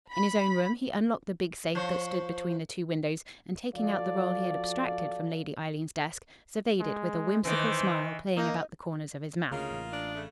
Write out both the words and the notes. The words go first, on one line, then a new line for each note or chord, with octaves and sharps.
In his own room, he unlocked the big safe that stood between the two windows, and taking out the roll he had abstracted from Lady Eileen's desk, surveyed it with a whimsical smile playing about the corners of his mouth.
B5
F3 C5 C#5
F3 F#4 A4 D5 F5
G#3
D#3 E3 C5
A#3 D#4
D2 C#3 A#3 D#4 F4
A1
D4
C#3 A3